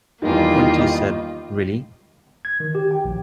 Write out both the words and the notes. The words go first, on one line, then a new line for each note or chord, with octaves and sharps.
Brinkley said, Really?
E2 D#3 G3 A#3 F4 D#5
G#6
D#3
G4
G5
A#1